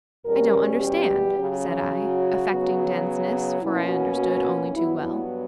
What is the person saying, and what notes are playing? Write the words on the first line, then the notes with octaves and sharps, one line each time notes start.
"I don't understand," said I, affecting denseness, for I understood only too well.
E2 B2 G3 C#4 A#4
G4
C#3 F#3 C#4
F#4
C#3 F#3 B3
B2 A#3 C#4 E4
F#4
F#4
G2 F#3 B3 E4
E4